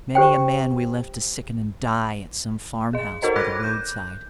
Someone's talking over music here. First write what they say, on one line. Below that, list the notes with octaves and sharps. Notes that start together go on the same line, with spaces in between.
Many a man we left to sicken and die at some farmhouse by the roadside.
G4 C5 G5
G#4 D#5
D#4 F#4 A4 A#4 C#5 D#5
B5 D6 F6 F#6 G#6 A#6
F#6 G6